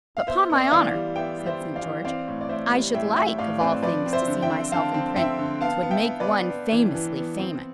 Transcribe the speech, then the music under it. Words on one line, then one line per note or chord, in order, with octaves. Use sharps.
"But, 'pon my honour," said St. George, "I should like of all things to see myself in print; 'twould make one famously famous."
F5
B3 C5 E5
B3
D5
E5
E3 D5 F5
G3
B3 E5 G5
G3
C5 E5
E3
D5 F5
E3
C4 D5 F5
A2
D5
A2 C5 E5
G3
A2 E5 G5
A2 E5 G5
A2 D5 F5
C4 B4 D5
F3 B4 D5
C4
C5 E5
D3
E5 G5
C4
D3 F5 A5
C4
C4 E5 G5
D3
B3 F5 A5
B3
E5 G5
B3
B4 D5
B3
B3
E3
E3
B3
C4